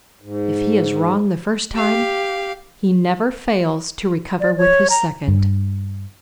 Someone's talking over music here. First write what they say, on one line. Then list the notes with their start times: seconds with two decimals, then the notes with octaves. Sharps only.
If he is wrong the first time, he never fails to recover with his second.
0.22 G#2
1.76 G4 F5
4.40 D5
4.57 C#5
4.90 A#5
5.28 G2